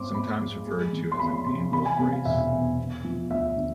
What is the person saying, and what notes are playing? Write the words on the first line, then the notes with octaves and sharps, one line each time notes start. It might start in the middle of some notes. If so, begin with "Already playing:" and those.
Sometimes referred to as an angle brace.
Already playing: G#2 C4 C6 D6
G#2 B5
G#3
G#3
E3
C6
F2 B5
C3 C6
E3 B5
G#5
C3 G#5
F5
E1 E5
E2
B3
F3
D2 E5
D3